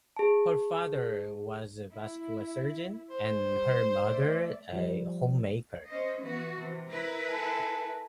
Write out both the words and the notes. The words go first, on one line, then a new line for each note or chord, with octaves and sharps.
Her father was a vascular surgeon and her mother a homemaker.
G#4 A5
E4
C5
G3
A3 D5 E5
F3 G3
C#4 C5 D#5
E3 B3 F#4
C3 E3
E4 A#4 B4
A4 G#5